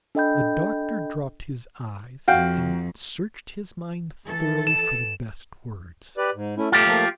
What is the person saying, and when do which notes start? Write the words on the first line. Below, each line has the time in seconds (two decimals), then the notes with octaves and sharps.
The doctor dropped his eyes, and searched his mind thoroughly for the best words.
0.15 D4 A4 D#5 G5 B5 G6
2.28 F2 F#4 F5 G5
4.25 E3 A4
4.67 E7
6.17 G4 B4 D5
6.34 G#2
6.57 A3 C#4 E4
6.72 A3 F4 G4
6.86 F3 A3 A#3